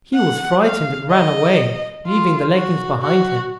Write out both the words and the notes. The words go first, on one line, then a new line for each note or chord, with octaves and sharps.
He was frightened and ran away, leaving the leggings behind him.
F#5
F5
D#5
F4
F#4
F#4